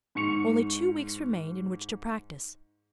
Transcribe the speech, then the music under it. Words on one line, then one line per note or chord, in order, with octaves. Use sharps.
Only two weeks remained in which to practise.
G#2 C#6 C#7 F7